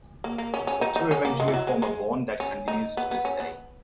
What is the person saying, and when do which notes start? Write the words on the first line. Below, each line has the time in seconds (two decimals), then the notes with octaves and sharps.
The two eventually form a bond that continues to this day.
0.24 A#3
0.38 A#3
0.54 C#4
0.67 C#4
0.81 D#4
0.96 D#4
1.11 C#4
1.25 A#3
1.40 G#3
1.48 E3
1.54 F#3
1.67 G#3
1.82 G#3
2.40 C#4
2.68 D#4
2.97 B3
3.11 B3
3.25 C#4
3.40 B3